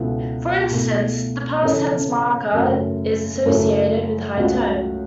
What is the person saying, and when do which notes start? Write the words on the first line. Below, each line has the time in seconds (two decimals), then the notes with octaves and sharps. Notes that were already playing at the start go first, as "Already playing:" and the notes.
For instance, the past tense marker is associated with high tone.
Already playing: C#2 B2 B3 E4 A4
0.70 B2 A3 E4 A4
1.62 C#3 E3 C#4 A4
2.53 F#2 C#3 A3
3.45 F#2 C#3 A3 E4 A4
4.37 C#2 C#3 A3 F#4